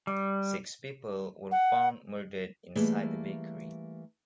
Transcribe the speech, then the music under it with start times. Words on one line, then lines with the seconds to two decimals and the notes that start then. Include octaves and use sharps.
Six people were found murdered inside the bakery.
0.07 G3
1.51 F#5
2.75 E3 G3 A3 A#3 G#4 D#5